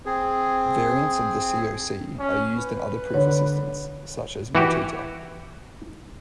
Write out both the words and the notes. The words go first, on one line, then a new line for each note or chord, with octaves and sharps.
Variants of the CoC are used in other proof assistants, such as Matita.
C4 G#4
C#4
B4
D3 C#5
E3 F#4 G4